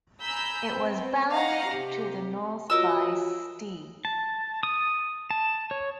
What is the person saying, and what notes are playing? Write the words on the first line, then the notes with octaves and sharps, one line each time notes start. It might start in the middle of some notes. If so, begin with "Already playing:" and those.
It was bounded to the north by Ste.
G#5 A#5 B5 E6 G6
B3 C4
D#4 F5 F#5 A#5
C3 G4
F4 F#4 A#4 C#5 D#5 E6
A5
D#6
A5
C#5